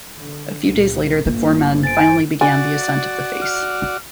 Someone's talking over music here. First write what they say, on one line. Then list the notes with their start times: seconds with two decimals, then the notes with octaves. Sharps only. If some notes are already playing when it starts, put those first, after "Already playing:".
A few days later the four men finally began the ascent of the face.
0.19 D3
0.68 C#2 A#2
1.26 G1 A#3 F4
1.83 C5 G#5 A6 D7
2.41 F#4 D5 G#5 A6
3.41 F6